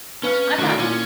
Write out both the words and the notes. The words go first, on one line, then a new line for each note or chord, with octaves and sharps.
I'm not s
C#4 B4 F5 F6
A2 D#3 F#4 D5
A#2 C#4 E4 F4